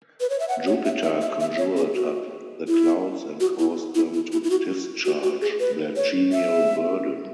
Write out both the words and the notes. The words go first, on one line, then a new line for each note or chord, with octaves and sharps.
Jupiter conjured up the clouds and caused them to discharge their genial burden.
B4
C#5
E5
F#5
C#5
E5
E5
E5
E5
C#5
G#4
F#4
E4
F#4
E4
E4
E4
E4
E4
F#4
F#4
F#4
G#4
B4
C#5
E5